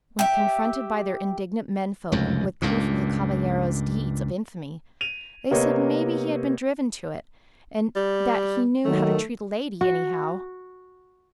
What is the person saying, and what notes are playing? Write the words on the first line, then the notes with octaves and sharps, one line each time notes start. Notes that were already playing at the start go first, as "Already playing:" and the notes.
When confronted by their indignant men folk with proof of the /caballero's/ deeds of infamy, they said maybe he had been driven to it, and that he knew how to treat a lady, anyhow.
G4 E5
F1 C#2 F#2
C#2 G2 A#2
D#7 F7
C3 A#3 B3 G4 C#5 D#5
G3
D#3 F#3 A3
F#4